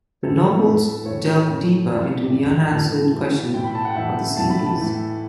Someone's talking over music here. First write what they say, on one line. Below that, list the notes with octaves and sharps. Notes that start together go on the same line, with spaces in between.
The novels delve deeper into the unanswered questions of the series.
A2 E3 A4
A2 E3 B4
A2 E3 C#5
A2 E3
A2 E3 D5
A2 E3
A2 E3 A5
A2 E3
A2 E3 G5
B5
A5
G5
F#5
A2 E3 E5
A2 E3 A5
B5
A5
A2 E3